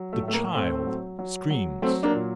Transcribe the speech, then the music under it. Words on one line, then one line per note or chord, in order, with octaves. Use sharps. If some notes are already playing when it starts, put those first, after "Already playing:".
The child screams.
Already playing: F#3
A3
A2
A3
A#3
A2 A3 C4
F#3
F#3
F#3
F#3 A3 C4
A#3 D4
A#2